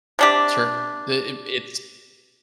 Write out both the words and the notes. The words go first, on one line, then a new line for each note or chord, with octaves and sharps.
Sure, it it it's,
C3 D4 G4